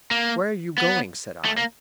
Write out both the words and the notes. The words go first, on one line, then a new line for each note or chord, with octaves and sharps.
"Where are you going?" said I.
A#3
B3
A3
A#3